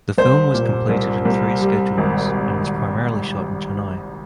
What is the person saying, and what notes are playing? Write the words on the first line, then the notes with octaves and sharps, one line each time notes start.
The film was completed in three schedules and was primarily shot in Chennai.
C2 C5
A#2
C2
C2
G3
G#1